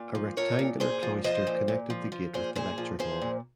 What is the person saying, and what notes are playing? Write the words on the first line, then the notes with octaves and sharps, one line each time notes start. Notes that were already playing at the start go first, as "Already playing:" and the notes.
A rectangular cloister connected the gate with the lecture hall.
Already playing: A#2
F3
F3 A#4 C#5
A#2
A#2 G#4 C5
F3
F3 C5 D#5
A#2
A#2
F3
F3
A#2 G#4 C5
A#2 G#4 C5
F3
F3 G#4 C5
A#2